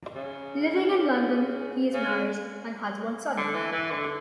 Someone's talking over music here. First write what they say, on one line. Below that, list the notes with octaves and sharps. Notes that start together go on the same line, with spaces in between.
Living in London, he is married and has one son.
C#3
C#3
D3
E3
E3
D3